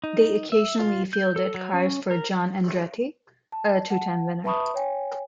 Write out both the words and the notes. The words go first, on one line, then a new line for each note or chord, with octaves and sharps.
They occasionally fielded cars for John Andretti, a two-time winner.
D#4
E5
F4
G6
A4
F#3
C#4
A#4
A5
F#5 A5
B4 E5 A5 B5 C#6 D#6
C#5 G5 G#5